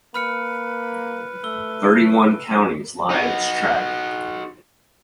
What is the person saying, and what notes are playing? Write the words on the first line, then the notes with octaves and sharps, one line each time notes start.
Thirty-one counties lie in its track.
A#3 B4 B5 F6 C#7
A3 E6 G7
D#4 F#4